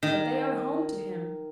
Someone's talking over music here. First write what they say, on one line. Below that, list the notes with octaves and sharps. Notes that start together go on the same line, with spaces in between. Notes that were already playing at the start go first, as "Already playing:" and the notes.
But they are home to him!
D#3